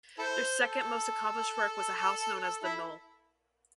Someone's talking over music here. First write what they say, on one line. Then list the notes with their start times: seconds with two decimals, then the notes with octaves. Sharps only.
Their second most accomplished work was a house known as "the Knole".
0.18 E4 A4 C5
0.61 A4
2.64 E4